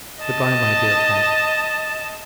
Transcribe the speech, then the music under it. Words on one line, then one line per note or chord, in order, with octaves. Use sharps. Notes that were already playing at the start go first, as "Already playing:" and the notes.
Good-bye, my dear friend.
D#5 A5